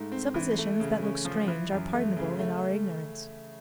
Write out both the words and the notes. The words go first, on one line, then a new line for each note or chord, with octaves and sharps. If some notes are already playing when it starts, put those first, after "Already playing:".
Suppositions that look strange are pardonable in our ignorance.
Already playing: G#2 A3
C4
E3
A3
C#3
C#4
F3
E3
F#2
A3
C#3
A3